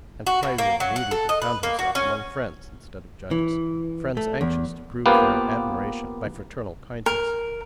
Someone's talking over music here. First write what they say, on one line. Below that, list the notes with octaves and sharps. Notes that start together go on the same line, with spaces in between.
And Kwairyo immediately found himself among friends instead of judges,--friends anxious to prove their admiration by fraternal kindness.
F#4
B2
A#3
F#3
F#5
A4
D#5
B4
A#3
F#4
C#4
E3
A3
E2
A#3 B3 F4 G4 B4 C5
A#4